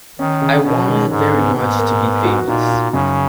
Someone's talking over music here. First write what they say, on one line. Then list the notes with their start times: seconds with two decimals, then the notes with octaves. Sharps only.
I wanted very much to be famous.
0.19 D#3 C#4
0.41 C#3
0.64 B2 C#4
0.88 D#3
1.10 G#2 G#4
1.33 B3
1.56 G#2 A#3
1.78 A#4
2.02 B3
2.25 F#4
2.47 A#2 D#4
2.70 D#4
2.93 F#2 C#3